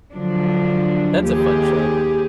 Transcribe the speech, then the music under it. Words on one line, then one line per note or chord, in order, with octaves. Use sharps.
that's a fun show.
D3 F3 F#3 D4
D#2 G4 G#4